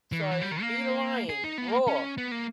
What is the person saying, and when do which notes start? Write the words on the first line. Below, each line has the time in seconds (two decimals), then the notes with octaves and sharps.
So, be the lion, roar.
0.12 E3
0.21 D#3
0.31 E3
0.42 G3
0.51 D#3
0.61 A#3
1.29 G#4
1.44 D#4
1.58 B3
1.68 A#3
1.87 C#4
2.18 B3
2.32 A#3